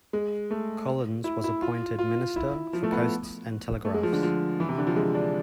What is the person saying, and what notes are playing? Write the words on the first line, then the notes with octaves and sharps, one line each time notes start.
Collins was appointed Minister for Posts and Telegraphs.
G#3
A3
E4
E4
F4
F4
E4
F3
A3
B3
A3
G#3
F3
D3
F3
E3
C3
D3
F3
G#3
D4